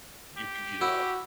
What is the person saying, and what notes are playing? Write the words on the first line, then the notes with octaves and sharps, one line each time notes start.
you can heat up.
G4
E4 F#4